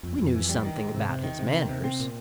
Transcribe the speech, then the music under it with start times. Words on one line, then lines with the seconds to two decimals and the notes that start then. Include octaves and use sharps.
"We knew something about his manners."
0.03 F2
0.18 F2
0.34 E3
0.49 G3
0.65 D#3
0.78 G#2
0.95 C3
1.09 C3
1.24 D#3
1.39 C3
1.54 D#3
1.69 C3
1.84 C4
2.00 A#2